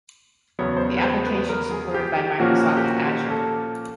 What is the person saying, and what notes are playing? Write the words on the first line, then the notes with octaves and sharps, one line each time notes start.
The application is supported by Microsoft Azure.
E2 C#3 F#3 B3 C#5
C5
C#5
B4
C5
B4
B4
A#4
G#4
G4
G4
A#2 F3 A#3 C#4 F#4
F#4
G4
F#4
G4
A4